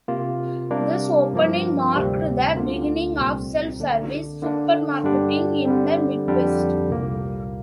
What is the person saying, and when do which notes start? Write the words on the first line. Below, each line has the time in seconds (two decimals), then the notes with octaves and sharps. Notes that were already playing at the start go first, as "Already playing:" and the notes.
This opening marked the beginning of self-service supermarketing in the Midwest.
0.08 C3 A#3 F4
0.70 C3 G3 A#3 D4
1.33 G2 F3 A#3
1.95 D2 C3 G3 C4
2.56 D2 D3 A#3 F4
3.18 C2 A#2 G3 C4
3.80 D3 A#3 D4
4.42 D3 A#3 D4
5.03 G2 D3 G3 D4 G4
5.65 D3 G3 C4
6.28 F2 D3 G3 D4
6.89 C2 A#2 A#3